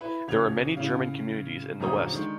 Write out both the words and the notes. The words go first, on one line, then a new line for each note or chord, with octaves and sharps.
There are many German communities in the west.
E4 B4
D#1 C#3 F3 G#6 F7
A2 C#3 F5
D#1 F#2 D3 F3 A#5 D#6
D#3 G#3 D4